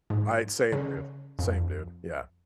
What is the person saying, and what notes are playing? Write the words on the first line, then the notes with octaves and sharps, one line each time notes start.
I same, dude. Same, dude, yeah.
G#2
C#3
F2